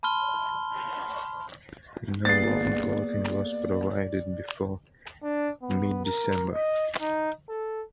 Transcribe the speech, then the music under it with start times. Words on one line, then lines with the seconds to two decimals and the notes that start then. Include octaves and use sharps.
No warm clothing was provided before mid-December.
0.03 A5 B5 C6 F6 G7
2.25 A#3 B3 G#4 D5 A6 C7
5.23 D4
5.63 B3
6.05 A#4
6.54 D#5
7.01 D#4
7.49 A4